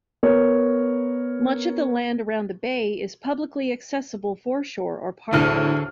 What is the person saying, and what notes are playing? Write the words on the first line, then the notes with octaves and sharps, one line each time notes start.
Much of the land around the bay is publicly accessible foreshore or parkland.
B3 A#4 C#5
D2 A2 D3 G#4 A4 F6